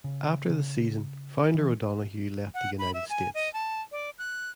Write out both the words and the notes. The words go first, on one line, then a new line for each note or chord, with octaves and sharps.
After the season founder O'Donoghue left the United States.
C#3
C#3
E3
F#5
B5
E5
G#5
D#5
A5
D5
F#6